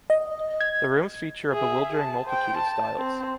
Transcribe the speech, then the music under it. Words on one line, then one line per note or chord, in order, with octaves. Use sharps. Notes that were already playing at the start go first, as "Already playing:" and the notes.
The rooms feature a bewildering multitude of styles.
D#5
G#6
G#4 E5
A5
C5 G5
A5
C4